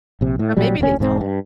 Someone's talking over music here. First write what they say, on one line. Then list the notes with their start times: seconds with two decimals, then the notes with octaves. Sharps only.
Or maybe they don't.
0.21 A#1 C3
0.39 A2
0.57 A1 A#2 F#3 G3
0.80 E1 D2 G2 C#4
0.99 E1 G#2 G#3 C4
1.21 G2